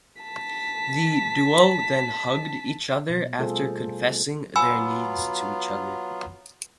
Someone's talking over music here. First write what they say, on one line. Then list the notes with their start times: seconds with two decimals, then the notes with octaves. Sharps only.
The duo then hugged each other after confessing their needs to each other.
0.22 A5 B6
3.10 B2
3.39 G3 A3 F4 G#4 A4 C5
4.56 F#3 B3 F4 G#5 B5 E6